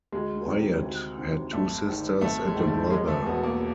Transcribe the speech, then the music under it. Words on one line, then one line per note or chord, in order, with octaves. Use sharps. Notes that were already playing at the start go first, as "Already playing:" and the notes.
Wyatt had two sisters and a brother.
D2 G#3
C3 D#3
D2
C3 D#3
G#1 A3
G#2 D#3
G#1 A3
G#3
G#2 D#3
A3
E1 G#3
A3
E2 B2 B3
A#3